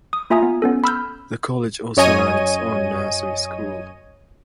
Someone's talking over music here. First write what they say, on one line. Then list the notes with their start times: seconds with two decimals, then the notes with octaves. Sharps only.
The College also ran its own Nursery School.
0.13 D#6
0.30 A#3 F4 E5 G#5 A#5 D#6
0.43 B3
0.62 B3 C#4 A4
0.84 B5 E6 F6 G6
1.97 F#2 C#5 D#5 G#5 D#7